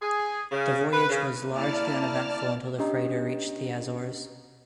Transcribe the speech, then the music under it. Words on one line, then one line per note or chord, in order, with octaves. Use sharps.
The voyage was largely uneventful until the freighter reached the Azores.
G#4
C#3
B4
C#3
A#3 E4 D5 A5 F6
C#4 D4 G4 D#5 A#5